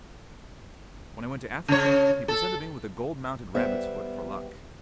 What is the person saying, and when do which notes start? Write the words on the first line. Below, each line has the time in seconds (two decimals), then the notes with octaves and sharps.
When I went to Africa he presented me with a gold-mounted rabbit's foot for luck.
1.68 C#3 C#5
2.28 A4
3.55 G3 B3 C5 E5